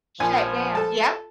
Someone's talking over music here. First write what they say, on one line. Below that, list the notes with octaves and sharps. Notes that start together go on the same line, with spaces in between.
shut down Yep.
A#1 F3 G#5
A4 A5